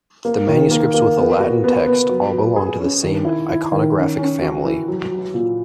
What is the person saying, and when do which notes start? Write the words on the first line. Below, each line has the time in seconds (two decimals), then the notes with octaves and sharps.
The manuscripts with a Latin text all belong to the same iconographic family.
0.25 A#3
0.48 D#3
0.71 A#3
0.94 A#3
1.17 B3
1.40 F#4
1.64 B3
1.87 B3
2.10 F#3
2.33 F#3
2.56 G#4
2.79 C#4
3.03 D#3
3.25 E4
3.49 E4
3.72 D#3
3.95 C#4
4.18 C#4
4.42 F#4
4.64 E3
4.88 F#3
5.11 F#3
5.34 A#2